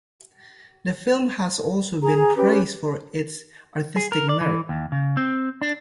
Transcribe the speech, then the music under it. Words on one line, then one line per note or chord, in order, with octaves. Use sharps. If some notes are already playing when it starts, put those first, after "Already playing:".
The film has also been praised for its artistic merit.
G#4 A#5
C#4 G4 B4
G#4
A#4
D5
E3
D#2
C#3
C4
D4